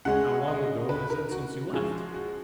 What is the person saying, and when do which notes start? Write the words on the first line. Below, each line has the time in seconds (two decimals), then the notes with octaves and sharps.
'How long ago is it since you left?'
0.05 C#3 G#3 C#4 F#5
0.48 D#5
0.89 B4
1.10 A#4
1.31 F#4
1.73 F3 G#3 C#4
2.14 F#4